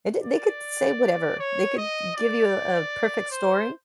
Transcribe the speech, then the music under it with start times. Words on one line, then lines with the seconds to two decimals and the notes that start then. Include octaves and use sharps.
and the they could say whatever they could g give you a a perfect story.
0.23 D5
1.39 C#5
1.77 D#5
2.16 D5
3.31 C5